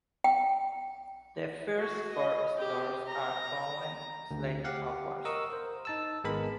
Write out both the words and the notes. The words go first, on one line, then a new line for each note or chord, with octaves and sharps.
The first four stories are bowed slightly outward.
G5
F#4
D#5
G4
A#5
D2
G4 F5 F#5
A#4 D#5 C#6 D#6 E6
A#4 C5
D#4 A5 E6
G#1 G#3 B3 A#4 B5